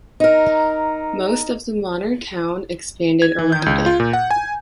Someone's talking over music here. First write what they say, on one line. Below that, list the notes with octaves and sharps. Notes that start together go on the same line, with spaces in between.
Most of the modern town expanded around it.
D#4 A#4
G#6
E3
G6
C#2
F4
A#2
F#5
G#5